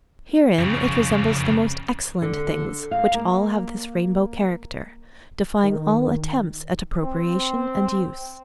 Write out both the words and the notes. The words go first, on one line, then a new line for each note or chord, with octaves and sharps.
Herein it resembles the most excellent things, which all have this rainbow character, defying all attempts at appropriation and use.
F2 C#3
D3
F5
A#3
D#3
C4